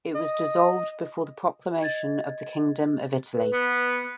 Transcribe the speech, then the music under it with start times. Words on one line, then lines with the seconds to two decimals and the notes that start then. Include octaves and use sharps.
It was dissolved before the proclamation of the Kingdom of Italy.
0.15 D#5
1.81 D#5 G#6 A6
3.34 B4
3.53 B3